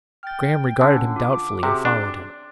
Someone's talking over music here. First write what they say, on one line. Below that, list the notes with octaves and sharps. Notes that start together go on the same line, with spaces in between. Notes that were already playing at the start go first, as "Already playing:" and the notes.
Graham regarded him doubtfully and followed him.
G5 F6 A6
D3 C#4
F4 D6
C3 C4 F#4 G#4
D4 C6